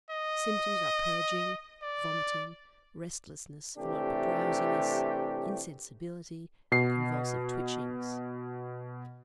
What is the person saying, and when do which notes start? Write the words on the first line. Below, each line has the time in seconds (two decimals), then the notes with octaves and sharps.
Symptoms are purging, vomiting, restlessness, followed by drowsiness, insensibility, and convulsive twitchings.
0.10 D#5
1.82 D5
3.77 C3 E3 A3 D4 G4
6.72 B2 C7